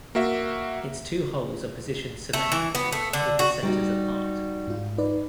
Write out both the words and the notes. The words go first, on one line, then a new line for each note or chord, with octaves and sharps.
Its two holes are positioned symmetrically, with the centers apart.
A#3 F#4 E5
A3
E3
B3
A3
D3
F#4
G3 D#4 F#4
G#2 F4
D#4 B4 D5